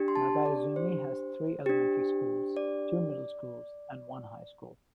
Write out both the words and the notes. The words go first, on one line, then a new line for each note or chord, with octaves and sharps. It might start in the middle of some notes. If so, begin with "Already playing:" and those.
Nagaizumi has three elementary schools, two middle schools and one high school.
Already playing: D4 G4
C6
A5
D5
C5
D4 G4
D5